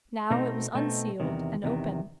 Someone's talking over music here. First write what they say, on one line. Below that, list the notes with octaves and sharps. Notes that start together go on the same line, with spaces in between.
Now it was unsealed and open.
B2 A3 C4 D#4
B2 A3 C4 D#4
E2 C3 D#3
E2 C3 D#3